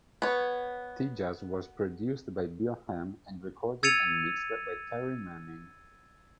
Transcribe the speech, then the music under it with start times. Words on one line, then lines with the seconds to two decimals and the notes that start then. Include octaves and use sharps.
"Tejas" was produced by Bill Ham and recorded and mixed by Terry Manning.
0.22 B3 C#5
3.83 E6 G#6 A6 C#7 D#7 F7